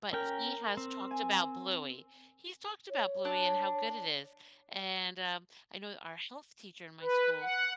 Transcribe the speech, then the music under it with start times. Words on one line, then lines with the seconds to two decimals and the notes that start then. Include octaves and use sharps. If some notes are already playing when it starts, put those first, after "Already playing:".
but he has talked about Bluey he's talked about Bluey and how good it is, and, um, I know our health teacher in my school
0.13 C#4 A#4 G5
0.77 C4
1.11 G#5
2.90 C#5
3.25 D4 F#6
7.02 B4
7.41 F#5